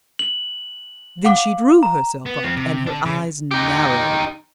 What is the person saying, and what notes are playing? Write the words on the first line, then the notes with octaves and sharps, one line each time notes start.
Then she drew herself up and her eyes narrowed.
F#7
F5 F#5 D6
A#5
B3
F3 C4
C3
D4 A4
C#3
D#4 G4